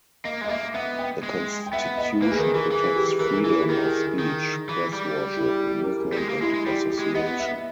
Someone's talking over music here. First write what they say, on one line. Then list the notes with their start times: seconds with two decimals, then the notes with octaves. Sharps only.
The constitution protects freedom of speech, press, worship, movement, and association.
0.24 A#3 D#5
0.41 G#3
0.45 D#5
0.49 A#3 E5
0.74 B3 E5
0.99 G5
1.23 G#3
1.66 G5
1.73 B3 E5
1.97 D#5
2.22 A#3 B4
2.31 G#4
2.38 D#3 A#4
2.54 E3 G#4
2.71 E3 G#4
2.96 G4
3.20 E3 A#4
3.33 G#4
3.45 E3 E4
3.58 G4
3.70 D#3 A#4
3.86 G#4
4.03 G#4
4.19 D#3
4.69 E3
4.93 G3
5.18 G4
5.37 E4
5.43 G4
5.67 G4
5.84 A#4
6.00 G#4
6.13 G3
6.16 G#3 G4
6.29 A#3
6.41 G#3 E4
6.54 G#3
6.66 G3 G4
6.90 G4
6.99 G#3
7.15 B3 D#5
7.40 E5